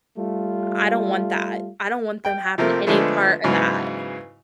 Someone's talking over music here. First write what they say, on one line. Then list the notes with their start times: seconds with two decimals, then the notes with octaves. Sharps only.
I don't want that; I don't want them having any part of that.
0.18 G3 A3 F4
2.25 G5
2.58 C3 F3 A3 A#3 C4 A#4
2.87 D3 F3 G#3 A3 B3 D4
3.44 G#2 C#3 E3 F#3 B3